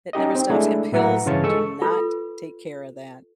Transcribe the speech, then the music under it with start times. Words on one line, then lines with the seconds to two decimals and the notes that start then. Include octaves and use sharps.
it never stops, and pills do not take care of that,
0.13 C#4 D#4 G4 D#5
0.35 C4
0.50 G#3 A3 D4 E4 G#4
0.92 A2 F#3 E4 B4 F#5 A#5
1.26 G2 C#3 E3 F4 C#5 A5
1.44 G#3 A4 C#6 E6
1.82 F4 A4 B4